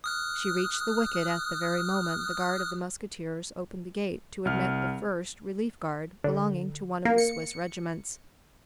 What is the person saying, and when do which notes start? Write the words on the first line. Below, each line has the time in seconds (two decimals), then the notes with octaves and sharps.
She reached the wicket at the very moment the guard of the musketeers opened the gate to admit the first relief-guard belonging to one of the Swiss regiments.
0.04 D#6 F6 F#6
4.45 C2 F6
6.24 D3
7.05 A#3
7.18 C#7